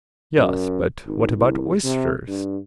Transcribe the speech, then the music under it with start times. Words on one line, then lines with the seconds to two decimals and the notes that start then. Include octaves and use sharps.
Yes but what about oysters.
0.37 F#2
1.06 G#1
1.37 C2
1.84 C3
2.28 G2